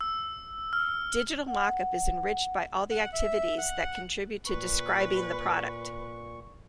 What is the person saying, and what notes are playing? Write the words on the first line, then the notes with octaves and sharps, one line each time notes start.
Digital Mockup is enriched by all the activities that contribute to describing the product.
E6
F6
F#5
F#5
E5
F#5
A#2 B4 C#6